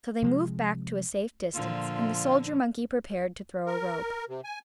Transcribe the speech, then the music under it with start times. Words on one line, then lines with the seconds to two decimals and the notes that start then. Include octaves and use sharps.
So they moved back to a safe distance, and the soldier-monkey prepared to throw a rope.
0.22 C3 F3 G#3
1.54 A#2 D3 F3 F4
3.66 A#4
4.29 C3
4.44 G#5